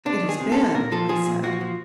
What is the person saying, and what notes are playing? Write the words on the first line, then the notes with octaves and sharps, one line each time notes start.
"It has been," I said.
C3 D4
D#3
G#4
C3
A4
C3
A#2 A#4
F3 A4
F3 G#4
A#2
F3 F#4
F3